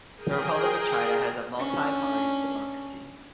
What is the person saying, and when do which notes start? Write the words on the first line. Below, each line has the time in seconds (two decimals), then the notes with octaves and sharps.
The Republic of China has a multi-party democracy.
0.16 G#4 A#4 G5 D#6 G6
1.56 C#4 D4